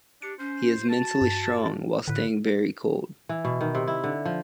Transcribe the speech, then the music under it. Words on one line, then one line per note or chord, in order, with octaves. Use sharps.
He is mentally strong while staying very cold.
D4 G4 C#7
C#4 C5
F#4 A5
G2
A2 D3 B4
E3
B2
D#3
C3
E4
D3
F3